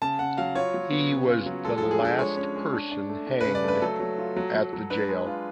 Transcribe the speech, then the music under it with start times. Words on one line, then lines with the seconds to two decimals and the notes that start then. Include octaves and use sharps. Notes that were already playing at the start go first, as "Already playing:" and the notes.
He was the last person hanged at the jail.
0.02 C#3 A5
0.19 C#3 F#5
0.38 F#3 F5
0.55 F4 C#5
0.74 F#3
0.92 B3
1.10 C#3
1.28 F4
1.46 F#3
1.65 G#3 A4
1.78 F3 A4
1.91 G#4
2.00 D4 A4
2.19 G#3 C#5
2.37 C#4
2.55 G#3
2.73 D4
2.92 D4
3.09 A3
3.27 D4
3.41 B4
3.45 C#3
3.55 D5
3.64 A3 B4
3.82 F#3 A4
4.00 F#3
4.18 F4
4.36 F#3
4.55 F#3
4.73 F#3
4.90 D4 B4
5.09 G#3
5.27 F4